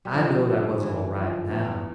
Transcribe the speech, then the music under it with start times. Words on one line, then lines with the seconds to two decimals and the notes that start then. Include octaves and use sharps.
I knowed I was all right now.
0.05 G3
0.14 D2 F3
0.48 D3 G3 D4 A4
0.82 D2 E3
1.17 D3 F3
1.50 E2